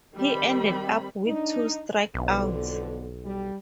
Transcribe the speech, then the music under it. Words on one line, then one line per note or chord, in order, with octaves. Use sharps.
He ended up with two strikeouts.
D#3 G3 C4 B5
D4 D#4
B1 F2 D3 B3
G3